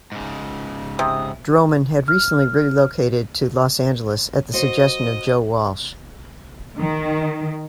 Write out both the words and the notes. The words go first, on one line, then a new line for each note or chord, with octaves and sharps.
Droman had recently relocated to Los Angeles at the suggestion of Joe Walsh.
G#2 C#3
C3 D#6
F6
F#4 C5 D#5
D#3